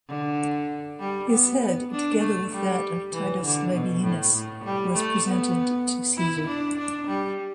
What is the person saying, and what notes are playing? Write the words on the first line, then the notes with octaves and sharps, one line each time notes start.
His head, together with that of Titus Labienus, was presented to Caesar.
D3
G3
B3
B3
D4
A3
G3
E3
D3
B2
A2
A2
G3
A3
B3
E4
D4
D4
G3